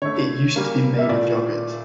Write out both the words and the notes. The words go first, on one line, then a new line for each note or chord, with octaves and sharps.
It used to be made of yogurt.
D3 A3 C#5
C#3 G3 A#3
E5
A#2 A3 D5